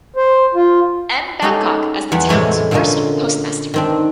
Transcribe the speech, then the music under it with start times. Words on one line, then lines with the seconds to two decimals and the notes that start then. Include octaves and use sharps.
M. Babcock as the town's first postmaster.
0.16 C5
0.55 F4
1.42 G#3 C#4 D#4 F#4 G4 A4
2.12 E2 G3 B3 B5
2.29 A2 C3 G#3 C#5
2.71 A#2 D3 G#3 A#3 C#4
3.74 D#3 C4 D4